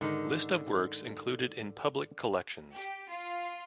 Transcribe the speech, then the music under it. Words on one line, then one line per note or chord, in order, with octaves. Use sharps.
List of works included in public collections.
G#2 D3 D#3 D#4
G4
F4